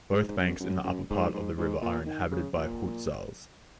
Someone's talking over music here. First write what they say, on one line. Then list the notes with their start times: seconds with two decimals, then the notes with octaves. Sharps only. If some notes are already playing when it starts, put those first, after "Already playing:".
Both banks in the upper part of the river are inhabited by Hutsuls.
0.11 G#2
0.28 G#2
0.36 F#2
0.60 F#2
0.84 F#2
1.10 G#2
1.34 G#2
1.58 G#2
1.82 A#2
2.06 D#3
2.31 C#3
2.56 A#2